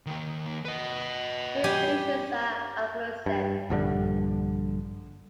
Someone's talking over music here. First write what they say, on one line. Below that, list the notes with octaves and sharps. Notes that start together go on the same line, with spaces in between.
Many species are acaulescent.
D#3 A#3
B4 D#5
G3 G4 G#5
G2
A#1 G2 D3 G3